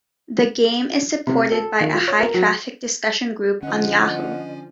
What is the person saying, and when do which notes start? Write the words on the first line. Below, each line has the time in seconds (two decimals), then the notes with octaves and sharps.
The game is supported by a high-traffic discussion group on Yahoo!
1.27 C3
1.52 A4
1.81 D#3
1.94 F4
2.08 C#5
2.20 A#4
2.34 F#3
3.63 D3 F3 C#4 D#5 F#5